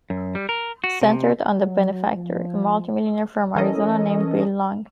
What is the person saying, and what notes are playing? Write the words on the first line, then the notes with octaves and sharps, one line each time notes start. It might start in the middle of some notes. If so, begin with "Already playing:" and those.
It centered on the "Benefactor", a multi-millionaire from Arizona named Bill Long.
F#2
G3
A#4
F#4
C3
F#3
F3
E3 C#4 A4 A#4 D#5